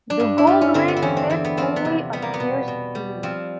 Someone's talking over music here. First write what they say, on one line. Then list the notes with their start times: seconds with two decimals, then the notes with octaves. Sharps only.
The gold ring fits only a pierced ear.
0.10 D4
0.20 G2
0.38 E4
0.47 G3 F4
0.61 C#4
0.74 D3 C4
0.88 B3
0.97 C4
1.02 E2 C#4
1.17 C4
1.30 E2 C4
1.44 B3
1.57 F3 C4
1.76 B3
1.85 C3
2.13 G3 B3
2.22 A#3
2.34 B3
2.40 B2
2.68 B2
2.95 G3
3.23 F3 C4